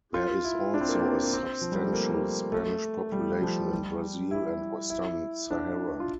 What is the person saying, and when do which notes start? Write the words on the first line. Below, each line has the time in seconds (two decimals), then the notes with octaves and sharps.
There is also a substantial Spanish population in Brazil and Western Sahara.
0.14 F4
0.45 E4
0.74 D4
0.81 C4
0.89 A#3
0.96 C4
1.23 A#3
1.33 C4
1.61 F3
1.72 G3
1.83 A3
1.93 A#3
2.52 A3
3.12 G3
3.42 F3
3.72 G3
4.31 E4
4.90 E4
5.51 D4
6.00 F4